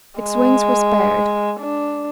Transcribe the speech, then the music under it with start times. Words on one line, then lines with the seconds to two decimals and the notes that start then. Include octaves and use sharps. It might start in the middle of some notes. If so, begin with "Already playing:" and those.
Its wings were spared.
0.20 G#3
1.60 D4